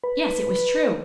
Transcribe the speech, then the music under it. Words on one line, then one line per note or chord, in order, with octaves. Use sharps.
Yes; it was true.
B4